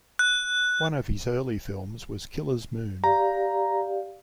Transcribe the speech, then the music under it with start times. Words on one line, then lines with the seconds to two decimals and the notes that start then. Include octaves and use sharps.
One of his early films was "Killer's Moon".
0.19 F#6
3.04 G4 D5 F5 A#5